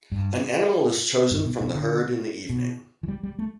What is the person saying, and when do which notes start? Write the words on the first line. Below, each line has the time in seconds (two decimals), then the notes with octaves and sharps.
An animal is chosen from the herd in the evening.
0.12 G2
1.31 G2
1.45 B2
1.60 B2
1.75 D3
2.49 B2
3.03 E3
3.08 G3
3.23 G3
3.39 A3